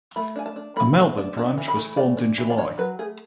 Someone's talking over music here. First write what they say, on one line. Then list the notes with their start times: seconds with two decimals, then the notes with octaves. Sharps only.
A Melbourne branch was formed in July.
0.16 A3 B5
0.36 D4 G#5
0.46 A5
0.56 D4
0.76 A3 B5
0.97 A3
1.18 D4
1.37 D4 A5
1.58 E3
1.68 B5
1.77 A3
1.97 E3 D5
2.17 D4
2.38 E3
2.50 D5
2.57 D4 C#5
2.78 F#3 B4
2.99 A3 G#4